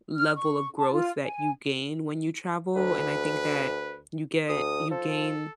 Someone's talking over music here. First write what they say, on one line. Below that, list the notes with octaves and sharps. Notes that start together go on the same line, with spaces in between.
level of growth that you gain when you travel, and I think that you get you gain,
F6
C#6
A5
F4
G#5
D2 B4
D2 D#6
F3 A4